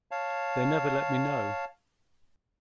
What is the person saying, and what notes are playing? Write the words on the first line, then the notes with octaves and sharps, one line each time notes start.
They never let me know.
C#5 F5 A5